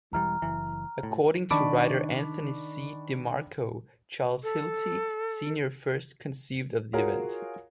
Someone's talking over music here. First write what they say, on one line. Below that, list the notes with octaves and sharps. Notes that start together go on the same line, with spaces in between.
According to writer Anthony C. DiMarco, Charles Hilty, Senior first conceived of the event.
E1 E3 G3 A#5 F6
F#1 E3
A2
D#3 D4 A5 B5 C#6 D6
A4
F4 F#4 G#4 A#4 C#5 F5